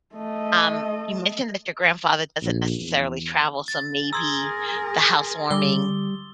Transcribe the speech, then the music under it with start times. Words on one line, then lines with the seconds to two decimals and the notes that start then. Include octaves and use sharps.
um, you mentioned that your grandfather doesn't necessarily travel, so maybe the housewarming
0.15 A3 D#5
2.42 A#1
2.80 E2
3.68 A6
4.13 G#4 A#4 A#5 C6 D#6 E6 G#6
5.51 D3 G3 D6 E6 G7